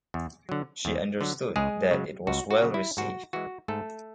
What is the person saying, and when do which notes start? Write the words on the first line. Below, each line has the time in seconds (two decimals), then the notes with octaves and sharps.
She understood that it was well received.
0.14 E2
0.49 D3 F#3
0.85 E2
1.21 D3 F#3
1.56 C#2 G#3 G#4
1.91 C#3 F#3
2.27 C#2 F#4
2.51 F#4
2.62 C#3 F#3
2.74 E4
2.97 G#2 F#4
3.33 E3 G#3 F#4
3.68 G#2 A3 A4